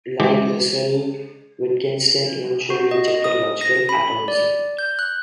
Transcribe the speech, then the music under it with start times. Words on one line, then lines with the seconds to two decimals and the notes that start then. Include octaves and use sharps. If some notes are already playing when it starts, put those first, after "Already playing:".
Like Russell, Wittgenstein eventually rejected Logical Atomism.
0.20 E3 G#3 G4
2.70 F#4
2.91 D#5
3.08 D#5
3.24 D#6
3.61 A#6
3.89 B5
4.28 D5
4.79 G6
4.99 F#6